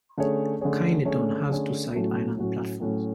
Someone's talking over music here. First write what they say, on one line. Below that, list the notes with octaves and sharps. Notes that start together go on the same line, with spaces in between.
Kyneton has two side island platforms.
D3 A3 C#4 G#4 C#5
D3 A3 C#4 G#4 C#5
D3 A3 C#4 G#4 C#5
D3 A3 C#4 G#4 C#5
A2 F#3 A3 C#4 F#4
A2 F#3 A3 C#4 F#4
A2 F#3 A3 C#4 F#4